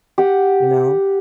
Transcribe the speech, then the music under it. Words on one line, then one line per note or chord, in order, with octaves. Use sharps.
you know?
G4 F#5